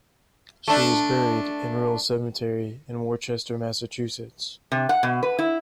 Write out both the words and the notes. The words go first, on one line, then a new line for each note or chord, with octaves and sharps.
She is buried in Rural Cemetery in Worcester, Massachusetts.
A3 D4
C3
F#5
B2
B4
E4